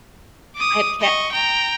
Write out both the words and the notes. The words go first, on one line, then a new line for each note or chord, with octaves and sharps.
I have ke
D6 D#6
D#5 C#6
G5 A#5